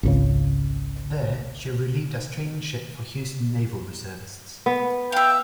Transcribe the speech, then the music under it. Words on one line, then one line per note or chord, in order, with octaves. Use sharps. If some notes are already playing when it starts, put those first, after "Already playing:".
There, she relieved as training ship for Houston naval reservists.
G#1 C#2 C#3
B3
E5 F5 G5